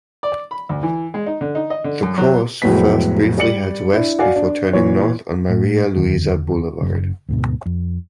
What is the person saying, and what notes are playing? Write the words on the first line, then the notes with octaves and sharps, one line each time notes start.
The course first briefly heads west before turning north on Maria Luiza Boulevard.
D5
B5
D2
E3
G#3
D#4
D3
D#4
D#5
D3
F#2
F#3
F1 A2 F#3 G#3 B3 B6
G3 D5 C#7 F#7
D4 E4
F#4 D5 F5 G#5
D4
A#2 E3 C#5
A2
F#1 E2 D3 D#3
F#1 F#2 C#3
D2 G#2 B2
F2